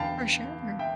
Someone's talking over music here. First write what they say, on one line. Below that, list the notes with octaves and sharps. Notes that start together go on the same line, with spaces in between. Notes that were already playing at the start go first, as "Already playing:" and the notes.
For sure.
Already playing: E2 D3 F5 G5 A5 B5
E5 G5